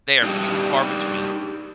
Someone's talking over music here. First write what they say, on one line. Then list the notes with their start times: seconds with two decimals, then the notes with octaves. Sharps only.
they are few and far between.
0.22 G3 D4 D#4 G4